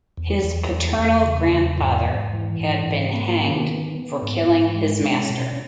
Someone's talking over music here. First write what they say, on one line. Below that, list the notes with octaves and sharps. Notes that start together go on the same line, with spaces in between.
His paternal grandfather had been hanged for killing his master.
E2
E2
E2
E2
C#3
E2
G#2
G#2
E3
G#2
G#2
A#3
D#3
B3
B3
G#2
G#2
G#3
C#4
B2